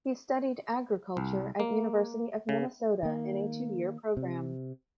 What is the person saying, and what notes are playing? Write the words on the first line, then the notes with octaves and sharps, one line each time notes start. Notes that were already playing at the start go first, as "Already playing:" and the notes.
He studied agriculture at University of Minnesota in a two-year program.
C2
A#3
C#3
D#3 A#3
C3